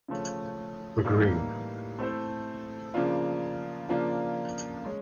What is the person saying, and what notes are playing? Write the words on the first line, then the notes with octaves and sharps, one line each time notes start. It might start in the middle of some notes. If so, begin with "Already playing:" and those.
The green!
C#3 F3 A3 C#4
A2 E3 G3 A#3 D#4
A3 C4 E4 A4 C5
C#3 F3 A#3 D4 F4
C#3 F3 A#3 D4 F4
G#3 C#4